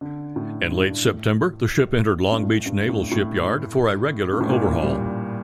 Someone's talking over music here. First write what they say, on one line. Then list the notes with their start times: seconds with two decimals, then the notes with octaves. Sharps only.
In late September, the ship entered Long Beach Naval Shipyard for a regular overhaul.
0.01 D3
0.36 A2
0.71 G2
1.05 A2
2.32 G2
2.43 A2
2.66 G2
2.89 A2
3.11 A2
4.32 G2
4.41 A2
4.49 A#2
4.83 G3